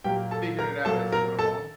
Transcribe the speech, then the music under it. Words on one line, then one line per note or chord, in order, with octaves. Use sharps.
figured it out as you went along?
A#2 F#3 A#3 G4 G5
A4 A5
A#4 A#5
A#2 F#3 A#3 A4 A5
A#4 A#5
A4 A5